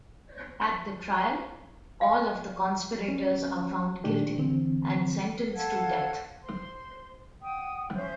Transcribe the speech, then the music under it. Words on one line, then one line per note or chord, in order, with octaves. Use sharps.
At the trial, all of the conspirators are found guilty and sentenced to death.
F5 G5
C#4
A#2 D#3 A3 D4 G4
D3 E3 C4
A4 F5 F#5 G#6
C5 C6
F#5 G5 D#6
C#4 C5 E5 G6